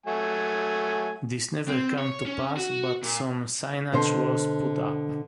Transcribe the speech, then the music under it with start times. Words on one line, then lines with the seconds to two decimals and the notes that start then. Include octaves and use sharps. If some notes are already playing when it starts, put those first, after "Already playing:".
This never came to pass, but some signage was put up.
0.06 F#3 A3 G#5
1.68 C4
1.99 C#5
2.26 C#4
2.57 F#4
3.03 A#2
3.92 B2 D3 C5